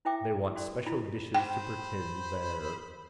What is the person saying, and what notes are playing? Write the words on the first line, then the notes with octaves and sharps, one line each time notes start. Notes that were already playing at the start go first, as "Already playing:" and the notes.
They want special dishes to pretend they're.
E4 C5 E5 G5 D6
F#4 C5 D5
E4 F4 B5
C5 G5 B5